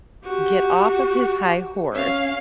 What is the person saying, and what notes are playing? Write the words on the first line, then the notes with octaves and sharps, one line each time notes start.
get off of his high horse
F#4 G4
C#4 F5